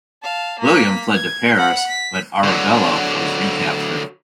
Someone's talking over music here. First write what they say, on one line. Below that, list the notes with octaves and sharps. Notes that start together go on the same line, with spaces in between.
William fled to Paris, but Arabella was recaptured.
F5 A5
A#3 B6
G#6
F#5 B5
B6
D3 F#3